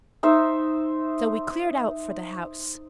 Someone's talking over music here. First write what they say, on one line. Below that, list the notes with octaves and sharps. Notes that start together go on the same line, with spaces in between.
So we cleared out for the house.
D#4 C5 E5